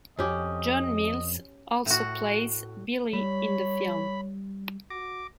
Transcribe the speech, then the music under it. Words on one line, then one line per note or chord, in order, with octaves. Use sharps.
John Mills also plays Billy in the film.
F2 C#4 G4 D#5
A2 F#4
G3 C#5 B5
F#4 D6 A#6